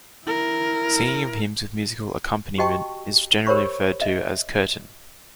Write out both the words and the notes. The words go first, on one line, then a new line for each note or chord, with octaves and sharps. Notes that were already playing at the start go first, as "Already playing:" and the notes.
Singing of hymns with musical accompaniment is generally referred to as "Kirtan".
E4 A#4
F#4 G4 D#5 G5 A5 C#6
G4 A#4 C5 C#5 B5 C#6
D#5 E5